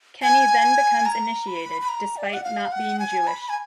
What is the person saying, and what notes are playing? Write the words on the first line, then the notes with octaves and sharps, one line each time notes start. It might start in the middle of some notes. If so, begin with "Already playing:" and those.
Kenny then becomes initiated, despite not being Jewish.
G#5
A#5
B5
B5
A#5
D5
F#5
F5
F#5
G#5
B5
G#5